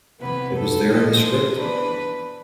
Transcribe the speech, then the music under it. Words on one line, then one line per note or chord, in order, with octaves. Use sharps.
It was there in the script.
C3 E3 B3 B4
A4
D3 F3 G#3
C5
E3 B3 D4 B4